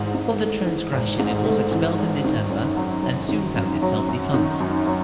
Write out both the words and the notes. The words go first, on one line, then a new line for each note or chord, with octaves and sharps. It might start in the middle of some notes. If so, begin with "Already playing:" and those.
For the transgression it was expelled in December, and soon found itself defunct.
Already playing: G#1 G#2 E3
G#2
A3
E3
G#1
G#2
A3
E3
G#1
D#3
F#2
F#3
F#2
D#3
F#2
F#3
F#2
D#3
F#2
F#3